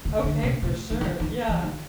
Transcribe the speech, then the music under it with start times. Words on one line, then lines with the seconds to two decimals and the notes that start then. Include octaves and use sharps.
Okay, for sure, yeah.
0.05 C#3
0.24 D3
0.43 C3
0.63 C3
0.90 D#3
1.01 E3
1.20 D#3
1.49 E3
1.63 D#3